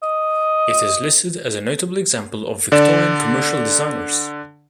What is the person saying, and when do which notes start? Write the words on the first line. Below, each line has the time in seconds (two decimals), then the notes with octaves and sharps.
It is listed as a notable example of Victorian commercial designers.
0.03 D#5
2.72 D3 D5 E7